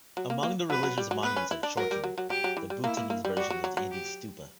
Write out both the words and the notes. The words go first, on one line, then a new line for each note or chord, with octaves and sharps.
Among the religious monuments are chorten, the Bhutanese version of the Indian stupa.
F#3
A#3
A#3
F#3 B4
F#3
G3
F#3
B3 B4
C#4
E4
D4
F#3 A#4
G3
F#3
F#3
F#3 G4
F#3
E3
G3
A#3 E4
A#3
A#3
G3
G3 F#4
F#3
F#3
F#3
G4